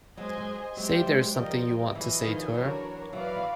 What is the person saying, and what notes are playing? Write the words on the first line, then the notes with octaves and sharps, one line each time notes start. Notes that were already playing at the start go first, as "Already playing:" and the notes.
Say there's something you want to say to her.
F#3 G#3 G#4 C5 D#5 G#5
F#3 G#3
F#3 G#3 G4 C5 E5 G5
F3 G3
F#3 G#3
F#3 G#3
F3 G3 F4 A#4 D#5 G5
E3 F#3 E4 G#4 B4 D#5 G#5
D#3 F3
E3 F#3 D4 F#4 A#4 C#5
E3 F#3 F#4 B4 D5 F5
E3